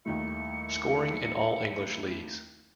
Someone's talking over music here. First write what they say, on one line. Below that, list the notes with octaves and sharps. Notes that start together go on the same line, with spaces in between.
Scoring in all English leagues.
D#2 D#3 G3 A3 E4 C#7